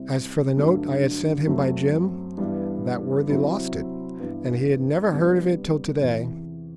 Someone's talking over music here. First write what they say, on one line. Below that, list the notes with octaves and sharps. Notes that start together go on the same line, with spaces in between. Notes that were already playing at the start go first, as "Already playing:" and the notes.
As for the note I had sent him by Jim, that worthy lost it, and he had never heard of it till to-day.
Already playing: C3 G3 C4 E4
G2 D3 F#3 A3
F#2 F#3 A3 C4
G2 E3 G3 B3 D4
C3 F#3 C4 E4
G2 E3 B3 E4
C3 G3 B3 D4
E2 C3 E3